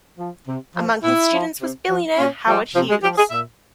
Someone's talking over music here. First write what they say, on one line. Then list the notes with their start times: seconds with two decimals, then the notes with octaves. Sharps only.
Among his students was billionaire Howard Hughes.
0.18 F3
0.47 C3
0.76 F3
1.03 A#2 E4
1.32 F3
1.61 C3
1.90 F3
2.17 A#2 C#4
2.46 F3 G3
2.74 C3 F3
2.89 G#3
3.03 F3 G4
3.18 G#4
3.31 A#2 E5